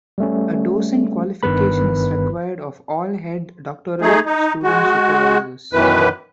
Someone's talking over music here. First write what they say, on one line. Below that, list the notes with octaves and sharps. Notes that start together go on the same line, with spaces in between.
A docent qualification is required of all head doctoral student supervisors.
G3 A3 C#4
G1 G2 D#3 B3 B4 B5
A3 D#4 G#4
D#4
G#3 F#4
F#2 B2 D#3 E3 B4